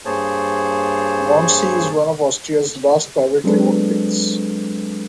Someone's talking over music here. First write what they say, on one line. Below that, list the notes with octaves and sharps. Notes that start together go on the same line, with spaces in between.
Mondsee is one of Austria's last privately owned lakes.
G2 A#3 G#4 C5 C#5 A5
F#3 G#3 C4 D4 A4 B4